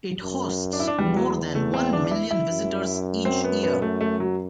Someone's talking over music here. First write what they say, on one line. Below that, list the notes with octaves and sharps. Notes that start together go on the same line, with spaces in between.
It hosts more than one million visitors each year.
F#2
D4
E4
D4
E2 G3
F#3
A3
C4
D4
D4
E4
E4
F#2
C4
B3
B3
A3
A3
F#3